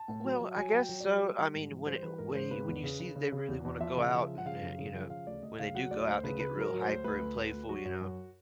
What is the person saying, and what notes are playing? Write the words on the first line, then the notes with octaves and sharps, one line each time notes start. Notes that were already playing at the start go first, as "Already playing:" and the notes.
uh, well, I guess so. I mean, when it when he when you see that they really wanna go out and, uh, you know, when they do go out, they get real hyper and playful, you know.
Already playing: A5
A2
F#3
F#3
F#3 G#5
F#3 G5
F#3
D5
F#3
G3
G3
G#2
E3
G3 C5
E3 B4
G#2 A#4
G#2 C5
C#3 B4
E2
C#3
C#3
C#3
C#3
E2
E2
F3 E5
C#3
F3
F3
F#5
C#3 F5
F#2
C#3
F3
C#3 F5
D2 D5
D2 D#5
C#3 F5
F#3 F#5
D2 D5
D2 C5
C#3 B4
C#3 B4
F#3
A#4
F#3
C5
D2
D2 B4
D2
D2
D2
F#3 F#4
F#2
F#2